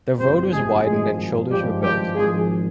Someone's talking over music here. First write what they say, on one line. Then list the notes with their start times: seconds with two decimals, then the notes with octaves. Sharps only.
The road was widened and shoulders were built.
0.18 G1 F2 C3 G3 C4 C5
0.51 G#3 G#4
0.83 G#1 G2 F3 G#3 G#4
1.49 G#1 G2 F3 G3 G#3 G4
1.82 G3 G4
2.15 G#1 G#2 F3 G#3 G#4